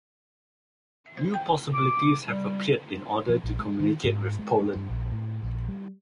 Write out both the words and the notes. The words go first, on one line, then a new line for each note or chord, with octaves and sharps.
New possibilities have appeared in order to communicate with Poland.
D6
G3
F3
A#1
G#3
D#3
G#2
G#3
G2
A#1
A2
A#1
G3